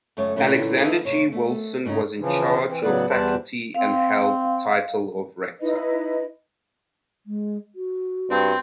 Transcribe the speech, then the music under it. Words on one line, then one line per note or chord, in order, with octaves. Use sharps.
Alexander G. Wilson was in charge of faculty and held the title of rector.
F#2 C#3 A3 C#5
A#2 D3 E3 A3 C#4
D#4 F#4 A4 B4 C5 E5
D2 C3 C#5
A3
G#2 C#3 C#4 D#4
C#3 E3 F3
E3 C4
A2 C#3 F#3 B3 B4 D5
E2 G3 B4 C5 D5 A5
C4 F5
D#4 E4 B4 D#5
G#3
F#4
G2 C4